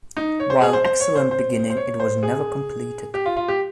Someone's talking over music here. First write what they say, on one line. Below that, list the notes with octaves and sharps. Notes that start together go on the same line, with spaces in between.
While an excellent beginning, it was never completed.
D#4
C#5
C5
G#4
C5
C5
C#5
C5
C5
C5
C#5
C5
G#4
G4
F4
F4
G4